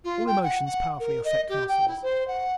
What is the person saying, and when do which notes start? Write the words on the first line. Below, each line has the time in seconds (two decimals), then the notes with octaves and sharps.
All emotions powerfully affect muscles.
0.04 F4
0.27 G5
0.43 F#5
0.66 F#5
1.00 A#4
1.24 D#5
1.49 G4
1.68 G5
1.88 E4
2.02 C5
2.27 F#5